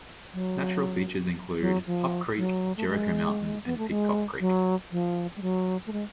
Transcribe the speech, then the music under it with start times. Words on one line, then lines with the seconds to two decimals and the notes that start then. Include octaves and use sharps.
Natural features include Hough Creek, Jericho Mountain, and Pidcock Creek.
0.33 F#3
1.60 F#3
1.86 F3
2.37 F#3
2.77 A3
2.88 G#3
3.65 B3
3.77 A3
3.89 G#3
4.40 F#3
4.91 F3
5.36 G#3
5.42 F#3
5.86 A3
5.92 G#3